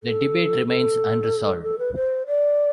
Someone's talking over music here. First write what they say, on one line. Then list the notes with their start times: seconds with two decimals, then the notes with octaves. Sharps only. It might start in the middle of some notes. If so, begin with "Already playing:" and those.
The debate remains unresolved.
0.03 A4
0.68 A4
1.63 A4
1.79 B4
1.95 C5
2.26 D5